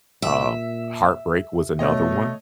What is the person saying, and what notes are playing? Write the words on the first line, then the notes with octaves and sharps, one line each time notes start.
um, heartbreak was another one,
A#2 E5
B2 A3 C#5 D#5